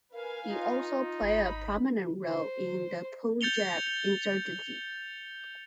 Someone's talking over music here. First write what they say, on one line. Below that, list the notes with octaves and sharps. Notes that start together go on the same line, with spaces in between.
It also played a prominent role in the Punjab insurgency.
A#4 B4 F5 G#5
D#4 F4
G#1 B5
C5
G6 A6 C#7 F7 G7